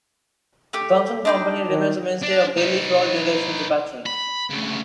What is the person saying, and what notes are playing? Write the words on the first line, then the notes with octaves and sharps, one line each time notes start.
The Thomson Company remains a mainstay of Delhi for all generations of patrons.
A3 G4
D4 D#4 G5
D#3
D4
D#4 B4
B5
D2 C#3